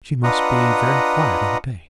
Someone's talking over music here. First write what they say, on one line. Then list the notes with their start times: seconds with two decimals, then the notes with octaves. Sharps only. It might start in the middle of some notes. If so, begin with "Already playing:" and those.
"She must be very quiet all day."
0.24 D4 F4 B4 D#5 F#5 A#5